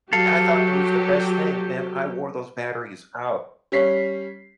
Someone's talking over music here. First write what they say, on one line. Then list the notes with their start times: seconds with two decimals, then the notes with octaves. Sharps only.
and I thought that was the best thing. Man, I wore those batteries out.
0.13 F#3 G4 A4 F5
3.72 G3 C#4 C#5 B6 C7